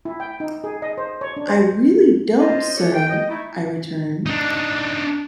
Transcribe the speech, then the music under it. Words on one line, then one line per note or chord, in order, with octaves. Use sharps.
"I really don't, sir," I returned.
E4
G5
D#4
G#4
D#5
C5
C#5
D4
C5
F4 C5 D#5
E3 G4 A4 C#5
G5
D#5
A3 D#4 E4
D4 D#4